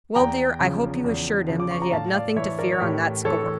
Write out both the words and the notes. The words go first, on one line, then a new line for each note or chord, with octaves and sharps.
"Well, dear, I hope you assured him that he had nothing to fear on that score."
E2 G5 A#5
C#3 F3
E2
C#3 F3
D6
C#6
A#5
A2 F5 A5
D5 F5
E3 C#5 E5
A#4 D5
C#5
A2 G4 A#4
E3 A4 C#5